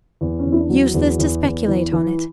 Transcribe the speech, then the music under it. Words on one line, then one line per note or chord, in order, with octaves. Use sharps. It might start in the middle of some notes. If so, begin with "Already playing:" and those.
Useless to speculate on it!
E2
C#4
E2
E4
D4
F#3
E2 G#4
E2
E2
E3
E3